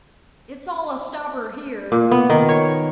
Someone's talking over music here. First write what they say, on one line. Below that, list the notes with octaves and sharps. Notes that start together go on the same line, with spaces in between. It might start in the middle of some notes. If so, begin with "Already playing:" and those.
"It's all a stopper here."
A#2
B3
D#3
C#5